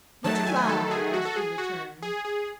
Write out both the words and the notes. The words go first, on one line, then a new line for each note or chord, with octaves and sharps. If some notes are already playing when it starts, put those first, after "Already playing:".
"Much obliged," he returned.
D#3 F#3 A3 A5
G#5
A4
G#4
F#4
A4
G#4
F#4
G#4
G#4